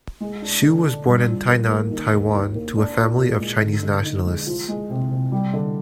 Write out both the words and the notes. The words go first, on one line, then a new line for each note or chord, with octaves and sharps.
Xu was born in Tainan, Taiwan to a family of Chinese nationalists.
G#3
D4
D3
D4
G2
F3
A#3
A#3
D#3
D#2
D#2
A#3
D4
A#2
A#2
G#3
D3
D3
D#4
G#3
F3
G#3
C3
C3
G3
D3